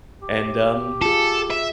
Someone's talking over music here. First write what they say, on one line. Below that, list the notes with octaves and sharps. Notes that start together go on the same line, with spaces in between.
and, um,
G4
F4 G#4 A4
E5